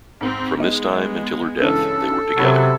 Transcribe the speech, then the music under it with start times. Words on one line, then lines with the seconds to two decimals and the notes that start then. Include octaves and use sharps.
From this time until her death, they were together.
0.21 G#2 C4
0.60 G#3 B3 D#4
1.60 G2 C#3 E3 A4
2.37 C3 F#3 C4 C#4 B5 G#6 A6